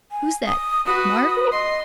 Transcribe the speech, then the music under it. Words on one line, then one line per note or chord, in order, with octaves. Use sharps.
Who's that,--Margaret?
G#5
D#6
F#4 B4 D#6
D#5 C6